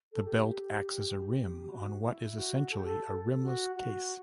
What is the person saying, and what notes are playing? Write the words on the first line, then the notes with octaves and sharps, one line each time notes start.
The belt acts as a rim on what is essentially a rimless case.
A4
G4
F#4
E4
F#4
A4
G4
A4
F#4
F#4